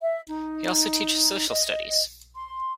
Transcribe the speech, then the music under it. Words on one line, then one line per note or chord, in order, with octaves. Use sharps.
He also teaches social studies.
E5
D#4
D#5
C6